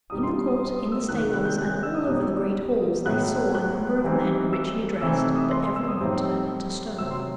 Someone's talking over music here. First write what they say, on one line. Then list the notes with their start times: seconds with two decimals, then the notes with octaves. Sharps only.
In the court, in the stables, and all over the great halls, they saw a number of men richly dressed, but every one turned into stone.
0.10 B2 G3 D#4 D#6
0.23 C6
0.48 D#6
0.60 C6
0.76 D#6
0.92 E6
1.08 C3 D#3 F#3 F#6
1.22 F#6
1.34 F#6
1.45 G6
1.58 F#6
1.70 F#6
1.83 E6
1.95 D#6
2.07 B2 G3 D#4 D#6
3.05 A2 F#3 B3 F#6
3.55 F#6
4.04 E3 G3 C4 D#4
4.53 E6
5.02 C3 E3 A3 C4 D#4 E6
5.19 E6
5.35 D#6
5.51 C6
5.63 C6
5.76 E6
5.88 D#6
6.01 A2 G3 C4 D#4
6.98 C3 F#3 C4 E6
7.11 C6